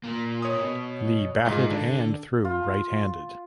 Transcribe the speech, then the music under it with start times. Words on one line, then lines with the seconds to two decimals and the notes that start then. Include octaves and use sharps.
Lee batted and threw right-handed.
0.04 A#2 A#3
0.42 C#5 D#6
0.58 B2
1.46 G#2 F4
1.71 D3 D4
2.45 F4